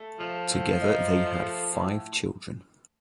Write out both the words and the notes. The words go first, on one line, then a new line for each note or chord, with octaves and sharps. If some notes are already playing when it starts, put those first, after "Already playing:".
Together they have five children.
Already playing: A3
F3 A4
A2
D#4
A3
A4
A2